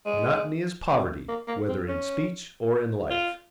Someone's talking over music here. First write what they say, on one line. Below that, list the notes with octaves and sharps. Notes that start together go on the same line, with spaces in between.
Monotony is poverty, whether in speech or in life.
G#3
A#3
A#3
C4
C#4
F4